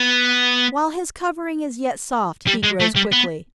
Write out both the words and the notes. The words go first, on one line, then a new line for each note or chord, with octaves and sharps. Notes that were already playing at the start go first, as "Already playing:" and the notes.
While his covering is yet soft he grows quickly.
Already playing: B3
G3
G#3
A3
G3
B3